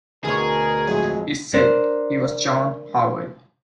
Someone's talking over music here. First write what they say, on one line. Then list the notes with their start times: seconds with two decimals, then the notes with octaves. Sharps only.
He said he was John Howard.
0.25 D2 B2 G#4 A#4 C#5
0.88 F2 A2 F#3 G#3
1.53 D4 A#4 C5